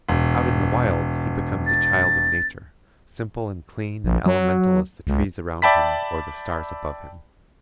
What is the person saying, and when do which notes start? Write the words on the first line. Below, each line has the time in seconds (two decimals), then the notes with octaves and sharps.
Out in the wilds he becomes a child of nature, simple and clean and elemental as the trees around him or the stars above him.
0.09 E1
1.66 A6
4.04 A#1
4.26 F#3
5.07 C#2
5.62 D5 E5 G5 A5 B5 B6